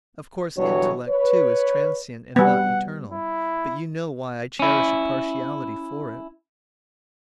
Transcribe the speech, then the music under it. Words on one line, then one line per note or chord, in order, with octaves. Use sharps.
Of course, intellect, too, is transient and not eternal, but you know why I cherish a partiality for it.
G2 B2 D3 E3 F#3 C#5
B4 C#5
G3 B3 F#5
E4
C#4 E4